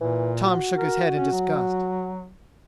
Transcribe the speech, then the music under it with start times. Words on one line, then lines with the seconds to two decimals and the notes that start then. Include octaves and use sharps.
Tom shook his head in disgust.
0.01 A#2 E3
0.46 F#4
0.77 A#4
1.16 C#4
1.32 F#3